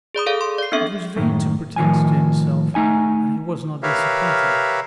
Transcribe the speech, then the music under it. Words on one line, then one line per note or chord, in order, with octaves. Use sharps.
It was vain to pretend to himself that he was not disappointed.
G#4 D5 B5 D#6
G#4 A4 D5 F5
C6
D5 C7
B3 C4 D4 A4 E5
F#2 A2 D#3
A2 D#3 F3 G#5
A3 D#4 G#5
G4 A#4 B4 C#5 E5 F5